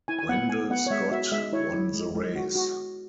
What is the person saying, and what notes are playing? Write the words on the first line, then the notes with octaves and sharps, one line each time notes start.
Wendell Scott won the race.
E4 G#5
G#5
B3 F#5
B3 G#5
B3 F#5
C#5
G#3 E5
F#4 E5
G#3 E5
E4 C#5
E4
G#3
G#3
F#4
F#4